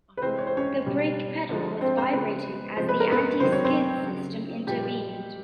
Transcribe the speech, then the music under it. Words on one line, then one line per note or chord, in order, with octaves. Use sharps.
The brake pedal was vibrating as the anti-skid system intervened.
B4
C3 E3 G#3 C4 C5
C#5
C5
C#4 C#5
B2 G3
D3 F3 G#3
C4 C5
C4 C5
C#3 F3 G#3 B3 B4
C3 F3 G#3 C5
B4
A#4
B3 B4
C3 D#3 F#3 C5
C#5
C4 C5
C#3 F#3
A#2 F3 G3 G#3 G4